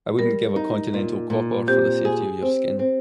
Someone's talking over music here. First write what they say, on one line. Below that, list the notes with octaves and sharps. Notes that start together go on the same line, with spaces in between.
I wouldn't give a continental copper for the safety of your skin.
G3 A#4
D#4
A#2
A#2
C4 G4
G#4
C4
C4